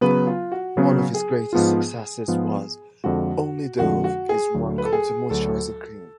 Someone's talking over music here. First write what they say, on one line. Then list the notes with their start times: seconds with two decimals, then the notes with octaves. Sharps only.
One of his greatest successes was "Only Dove is one-quarter moisturizing cream".
0.01 C#3 F#3 B3 B4
0.27 F4
0.52 F#4
0.77 C#3 F#3 B3
1.14 G#4
1.53 G#2 F3 B3 F4
2.28 G#2 F3 B3 F4
3.04 F2 D3 F3 G#3 F#4
3.79 F2 D3 F3 G#3 F#4
4.04 F#4
4.29 G#4
4.54 D2 D3 F#3
4.78 B4
4.85 A4
4.92 G#4
5.30 D2 D3 F#3 A4